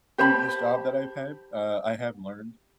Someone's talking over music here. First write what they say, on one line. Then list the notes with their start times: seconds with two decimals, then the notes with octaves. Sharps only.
previous job that I've had, uh, I have learned
0.18 G4 C5 A5 B5